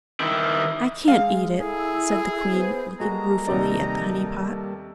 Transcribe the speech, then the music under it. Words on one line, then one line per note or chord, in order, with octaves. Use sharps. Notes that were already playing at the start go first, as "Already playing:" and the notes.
"I can't eat it," said the queen, looking ruefully at the honey-pot.
D#3 E4
G#3 G#4 F5
E4 G#4 A4
B3 C5
G3 G#3 A#3 F#4 G#4 A4 A#5
D#2 C3 D#4 D5